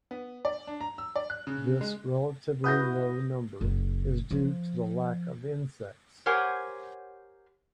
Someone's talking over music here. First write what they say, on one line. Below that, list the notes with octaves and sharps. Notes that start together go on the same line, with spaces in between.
This relatively low number is due to the lack of insects.
B3
D5
D4
A#5
E6
D5
F#6
C#3
G#3
E4 F#4 B4 D#6 G6 A#6
F#1
F3
G4 A#4 C5 C#5 F#5 G#5